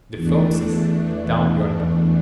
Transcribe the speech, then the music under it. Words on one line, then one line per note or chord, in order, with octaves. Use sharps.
"The Phelpses, down yonder."
E2 E3 A3 D4